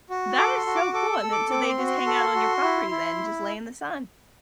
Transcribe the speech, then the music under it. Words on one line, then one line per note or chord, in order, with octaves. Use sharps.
That is so cool, and then so they just hang out on your property then, just lay in the sun.
F#4
A4 D6
C6
F#4
D6
A4 D6
E6
A4
D6
C4 D6
C6
F#4
C6
A4
F#4
E4
E4